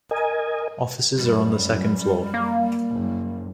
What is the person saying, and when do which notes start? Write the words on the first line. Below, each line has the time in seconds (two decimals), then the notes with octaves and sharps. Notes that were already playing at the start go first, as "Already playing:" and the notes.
Offices are on the second floor.
0.11 A#4 D#5 G#5
1.18 F#2 G3
2.34 A#3
2.92 F#1